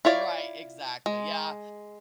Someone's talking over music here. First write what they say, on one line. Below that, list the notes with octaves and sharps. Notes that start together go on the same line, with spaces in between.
Right, exactly, yeah.
E4 F4 C#5 D5
G#3